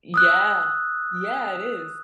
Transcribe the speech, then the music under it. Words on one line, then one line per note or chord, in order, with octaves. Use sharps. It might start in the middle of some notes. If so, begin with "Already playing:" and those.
Yeah. Yeah, it is.
D#6 E6 F#6